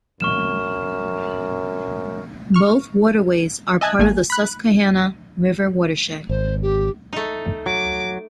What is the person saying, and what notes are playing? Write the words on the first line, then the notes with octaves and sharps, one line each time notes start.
Both waterways are part of the Susquehanna River watershed.
F#2 C#6 F6 E7
C#6 F6
D#5 E5 G#5 A5 F#6 G#6
G#1 A3 A#3 G#5
B5 F#6
G#1 C5
G4
A3 D#4
F#3 D6